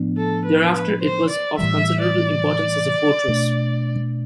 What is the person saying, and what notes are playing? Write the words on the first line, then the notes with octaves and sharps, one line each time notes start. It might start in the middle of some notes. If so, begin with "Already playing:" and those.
Thereafter it was of considerable importance as a fortress.
Already playing: A2 F3 B3 D4
A4
B4
B4
C5
D5
A2 E3 G3 E5
D5
B2 A3 D4